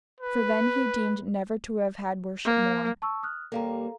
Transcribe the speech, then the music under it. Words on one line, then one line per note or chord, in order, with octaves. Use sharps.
For then he deemed never to have had worship more.
B4
A#3
A5 C#6 E6
D#6 F6 F#6
D#2 G3 A#3 A4 F5 A#5